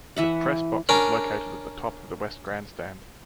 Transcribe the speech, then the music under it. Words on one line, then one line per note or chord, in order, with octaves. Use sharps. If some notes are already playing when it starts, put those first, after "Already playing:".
The press box is located at the top of the west grandstand.
E3 E5 F#5
C#4 D4 A#4